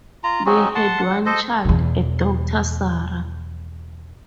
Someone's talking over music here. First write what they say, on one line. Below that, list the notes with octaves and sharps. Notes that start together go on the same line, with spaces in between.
They had one child, a daughter Sarah.
F4 A#5
C4 C#4 D#4 F#4
F#5 A5 C6
F#5
A4 C5 D#5
E2 B2